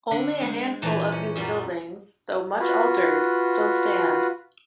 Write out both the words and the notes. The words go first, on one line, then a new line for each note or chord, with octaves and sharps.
Only a handful of his buildings, though much altered, still stand.
D3
G#3 C5
A#2 E3 C5 G5 A5 A#5
C#4
F#2 A#2 G3
F4 F#4 B4